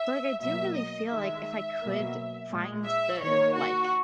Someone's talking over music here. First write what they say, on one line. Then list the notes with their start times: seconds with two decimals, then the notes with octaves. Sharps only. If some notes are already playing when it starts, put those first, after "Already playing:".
but, like, I do really feel like if I could find the, like,
Already playing: E5
0.41 B2 F#3 A#3 E5
0.76 D#5
1.11 D#3 G#3 E5
1.81 B2 F#3 A#3
2.52 A#2 G#3
2.86 E5
3.21 D#3 A#3 C#5
3.57 F#4